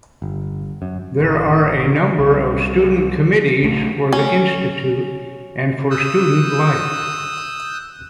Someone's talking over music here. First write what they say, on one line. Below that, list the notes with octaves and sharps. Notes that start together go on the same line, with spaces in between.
There are a number of student committees for the Institute and for student life.
G1
F#2
A1
C2
B1 A3
C#4
D#6 E6 F#6 G6